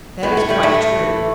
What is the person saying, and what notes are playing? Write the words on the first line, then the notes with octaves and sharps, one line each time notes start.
That is quite true.
A2 B3
A3
A2 G3
A3
A2
E3